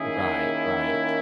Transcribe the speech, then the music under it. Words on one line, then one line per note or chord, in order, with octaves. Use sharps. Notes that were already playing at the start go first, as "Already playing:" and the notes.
Right, right.
Already playing: D#3 A#3 C#4 E4 G#4